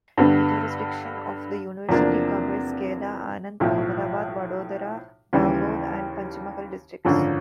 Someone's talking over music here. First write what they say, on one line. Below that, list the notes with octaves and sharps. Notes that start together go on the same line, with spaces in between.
The jurisdiction of the university covers Kheda, Anand, Ahmedabad, Vadodara, Dahod and Panchmahal districts.
G2 D3 G3 B3
E2 C3 F3 A#3 D4
B1 A2 F3
D#2 C#3 E3 G3
G#1 F#2 D3 F3